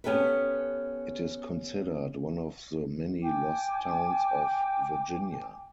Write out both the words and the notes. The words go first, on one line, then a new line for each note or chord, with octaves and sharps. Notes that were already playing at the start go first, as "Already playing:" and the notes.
It is considered one of the many lost towns of Virginia.
B3 C#4 G4 A4 B4
G5 G#5 D6